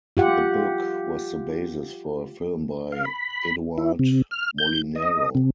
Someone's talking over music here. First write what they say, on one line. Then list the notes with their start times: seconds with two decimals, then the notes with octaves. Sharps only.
The book was the basis for a film by Edouard Molinaro.
0.17 F4 G4 F#5
2.92 F5
3.05 B5
3.78 E4
3.99 C3
4.31 F6
4.58 G6
4.96 D#5
5.35 C3